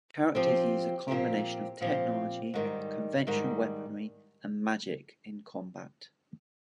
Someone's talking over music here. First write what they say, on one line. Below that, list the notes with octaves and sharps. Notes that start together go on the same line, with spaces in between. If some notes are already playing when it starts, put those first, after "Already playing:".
Characters use a combination of technology, conventional weaponry and magic in combat.
F3 C4 G4
A#2 F3 C4 G4
A#2 F3 C4 G4
G#2 D#3 G3
G#2 D#3 G3